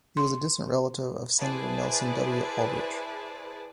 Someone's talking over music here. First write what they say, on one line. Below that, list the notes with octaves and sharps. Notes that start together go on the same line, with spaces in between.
He was a distant relative of Senator Nelson W. Aldrich.
C6
E4 G#4 B4 C5 D5 A5